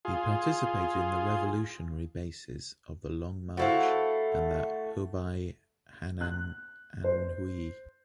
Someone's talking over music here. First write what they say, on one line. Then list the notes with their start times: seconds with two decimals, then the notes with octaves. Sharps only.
He participated in the revolutionary bases of the Long March and the Hubei-Henan-Anhui.
0.05 F4 G#4
3.57 A3 E4 F#4 C5 F5 F#5
6.21 F#6
7.04 C5